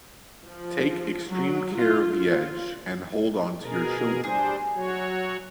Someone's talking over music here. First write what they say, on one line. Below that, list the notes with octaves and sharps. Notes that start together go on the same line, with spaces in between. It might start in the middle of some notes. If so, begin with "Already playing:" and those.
Take extreme care of the edge, and hold on to your children.
F3
F#3
F4
F4
B2 G#4 A#4
G3 D4 G#4 C5
F#3 F#4 C#5